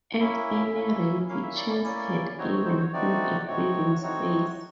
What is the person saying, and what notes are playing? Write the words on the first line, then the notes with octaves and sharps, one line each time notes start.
At any rate chance had given him a breathing space.
A#3 C#4 E4 E5
A#3 C#4 E4
A#3 C#4 E4 F5
E5
D5
D5
A#3 C#4 E4 D5
A3 C4 D#4 F#4 C#5
C#5
C5
C#5
A3 C4 D#4 F#4 D5
A3 C4 D#4 F#4 C#5
A3 C4 D#4 F#4 C#5